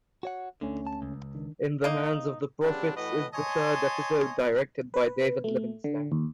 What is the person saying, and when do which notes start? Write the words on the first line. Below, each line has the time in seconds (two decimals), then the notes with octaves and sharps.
"In the Hands of the Prophets" is the third episode directed by David Livingston.
0.23 F#4 C#5 F#5
0.61 D2 D3 A3 C#4
0.87 A5
1.02 C#2
1.35 D#3 D4
1.84 A#3 D#4
2.62 C#3 G3 B3 C4 D4
2.96 A2 E3 F#4 B4 D#5
3.34 C#5 D#5 G#5 A5 C6
4.94 B4
5.44 A3
5.84 D3
6.12 D#2